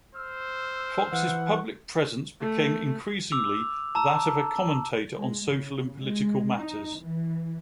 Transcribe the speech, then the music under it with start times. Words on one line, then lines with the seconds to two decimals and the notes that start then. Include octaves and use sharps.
Fox's public presence became increasingly that of a commentator on social and political matters.
0.15 C5 E6 F6
1.13 E3 F#5
2.41 A3
3.32 D6 E6 F7
3.95 A5 A#5 E6
5.18 G#3
5.52 C#3
6.01 G#3
6.60 D#4
7.00 E3